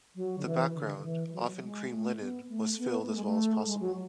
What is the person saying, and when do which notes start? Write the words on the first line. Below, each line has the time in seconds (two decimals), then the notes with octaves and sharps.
The background, often cream linen, was filled as well as possible.
0.16 F#3
0.38 D3
0.46 E3
0.75 D3
0.98 D3
1.04 E3
1.32 F#3
1.62 G#3
1.91 A3
2.20 B3
2.49 A3
2.78 B3
3.08 A3
3.16 G#3
3.25 A3
3.65 G#3
3.80 F#3